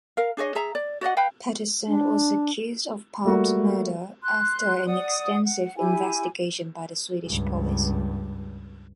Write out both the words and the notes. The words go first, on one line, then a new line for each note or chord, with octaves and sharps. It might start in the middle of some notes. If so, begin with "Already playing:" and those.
Pettersson was accused of Palme's murder after an extensive investigation by the Swedish police.
A#4 F5
D4 G#4 C#5 D#5
G#4 E5 A#5
D5
F#4 D5 D#5 F#5
B4 F5 G5 B5
D4
G3 A3 A#3 F#4
C6 F#6
D5 F#5 D#6
F#5
E4 G4 G#5
C#2 G2